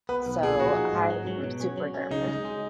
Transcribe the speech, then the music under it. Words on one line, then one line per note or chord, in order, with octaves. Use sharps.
So, I am super nervous.
B3 B4
B1
A#2 G#4
F3 F#4
D#4
G#2
F#3
F#3
B2
C#4
F#3
C#4
C#3 D#4
G#3
G#3